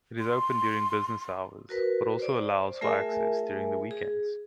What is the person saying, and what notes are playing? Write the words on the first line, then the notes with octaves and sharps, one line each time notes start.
It is open during business hours but also allows for access during the weekends.
C6
F#4 A#4 B4
C5 D5
A3 F4 G#4 A#4 E5 G#5
G#4